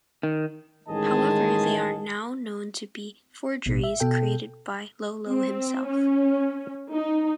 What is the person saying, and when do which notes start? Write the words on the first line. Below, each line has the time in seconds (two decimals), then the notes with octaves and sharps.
However, they are now known to be forgeries created by Iolo himself.
0.23 D#3
0.89 A1 D#3 G#3 G#4 D#5 A5
3.66 A1 B2
3.83 E5
4.00 B2 A4 G5
5.28 C4
5.87 C#4
6.92 D#4